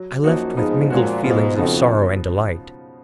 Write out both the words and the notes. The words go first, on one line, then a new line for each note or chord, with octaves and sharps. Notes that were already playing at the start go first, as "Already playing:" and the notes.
I left with mingled feelings of sorrow and delight.
Already playing: F#3
F#2 F3 A#3 D#4 F#4
G#2 F3 B3 D#4
A#2 F3 G#3 C#4 F#4
G#2 B2 F#3 B3 F4
F2 C#3 F3 B3 D#4 F#4